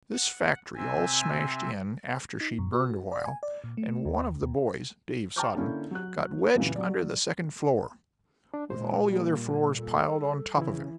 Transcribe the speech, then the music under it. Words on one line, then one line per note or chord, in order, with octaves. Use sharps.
This factory all smashed in after she'd burned a while, and one of the boys--Dave Soden--got wedged under the second floor, with all the other floors piled on top of him.
F#5
C3 C4 E5 G#5
D#4
F#2
F#4
D5
G#5
D5
A#2
A3
D#2
D#2
G5 A5 A#5 D6 F6 G6
D3 A#3 C#4 E4 A4
F#3 F#6
F#2 A#2 C#3 E3
F#3 D5
D4
A#2 G#3 C5
G3 A#3
A4
C#3 E3 E4